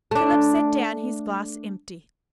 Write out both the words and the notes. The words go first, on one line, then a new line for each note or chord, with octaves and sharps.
Philip set down his glass empty.
A3 D4